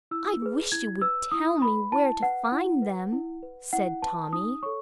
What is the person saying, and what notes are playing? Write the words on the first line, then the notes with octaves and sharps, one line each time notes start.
"I wish you would tell me where to find them," said Tommy.
E4 E6
G#4 B4
E4 G#6
B4 E6
E4 D#6
B4 B5
E4 A5
B4 F#5
E4
B4
E4
B4
E4 F#5
B4 A5
D#4 D#6
A4 C#5 C#6